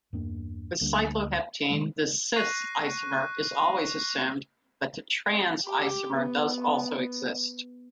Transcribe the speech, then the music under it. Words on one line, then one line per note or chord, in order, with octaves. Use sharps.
With cycloheptene, the "cis"-isomer is always assumed but the "trans"-isomer does also exist.
E2 G2 A#3
D2 G3 A#3 D4
C3 D#3 G#3 A3
C#6 F#6 A#6 C7 D#7
G4
B3